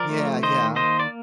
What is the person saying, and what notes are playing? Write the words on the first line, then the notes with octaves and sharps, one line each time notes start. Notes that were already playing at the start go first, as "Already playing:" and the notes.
Yeah, yeah.
Already playing: F3 A#4 D5
A3
D#3 C5 D#5
A#3 C5 D#5
D5